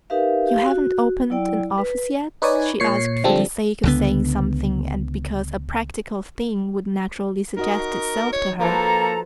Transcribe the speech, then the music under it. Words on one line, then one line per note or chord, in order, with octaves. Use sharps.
"You haven't opened an office yet?" she asked for the sake of saying something, and because a practical thing would naturally suggest itself to her.
D#4 G4 A#4 B4 E5 F5
G4 F5
F#4
F#3 E4 D5 G5
B4
D#4 B4 C#5 D5 G#5
A#2 C#5 C7 C#7
D3 F3 G3 C4 D4 A4
C#2 D3 B3
D#4 F#4 A#4 D#5
C#5
F3 A#3 A4 B4 C5 A#5